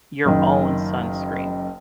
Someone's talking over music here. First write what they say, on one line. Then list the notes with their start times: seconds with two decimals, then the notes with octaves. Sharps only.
your own sunscreen,
0.25 F#1 F#2 D#3